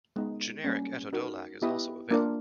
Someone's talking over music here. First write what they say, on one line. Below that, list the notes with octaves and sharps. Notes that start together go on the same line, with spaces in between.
Generic etodolac is also available.
G#3 B3 D#4
G3 A#3 C#4
D#4 F#4 A#4
B3 E4 G4 B4 D#5
A#3 D4 F4 A#4 D5